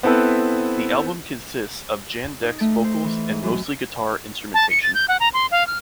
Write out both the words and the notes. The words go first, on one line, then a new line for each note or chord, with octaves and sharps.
The album consists of Jandek's vocals and mostly guitar instrumentation.
B3 C4 E4 A4 B4
D#4
A3
C5
E3
G#2
F#2
A5
C#7
A6
G6
F#5
A#5
C6
F5
F6